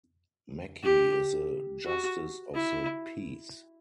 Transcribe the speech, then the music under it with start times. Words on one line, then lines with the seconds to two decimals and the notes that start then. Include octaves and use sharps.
Mackey is a Justice of the peace.
0.83 G4
1.85 F#4
2.55 E4